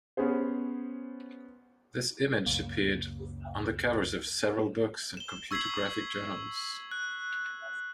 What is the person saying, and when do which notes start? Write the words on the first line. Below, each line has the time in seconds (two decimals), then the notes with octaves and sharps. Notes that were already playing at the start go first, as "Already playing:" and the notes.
This image appeared on the covers of several books and computer graphic journals.
0.17 B3 C#4 G#4 C5
2.46 C#2 F#2 C#3 A#3
5.17 E7 G7
5.51 C#6 E6 G#6 B6 C7 F#7
6.91 F#6